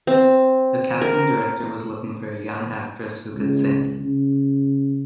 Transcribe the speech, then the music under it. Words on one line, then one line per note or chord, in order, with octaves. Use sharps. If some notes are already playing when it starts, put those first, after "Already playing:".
The casting director was looking for a young actress who could sing.
C4
A#4
C#2
C#3